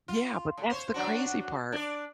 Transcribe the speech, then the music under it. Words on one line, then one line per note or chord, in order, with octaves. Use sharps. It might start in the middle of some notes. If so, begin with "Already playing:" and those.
Yeah, but that's the crazy part,
F4
A2
C5 C#5
F#3 D4 F#4
D4 D5